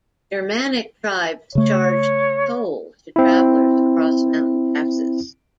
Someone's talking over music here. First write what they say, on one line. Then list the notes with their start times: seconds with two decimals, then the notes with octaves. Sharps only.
Germanic tribes charged tolls to travellers across mountain passes.
1.55 C#3 A3 C#5
3.16 C4 E4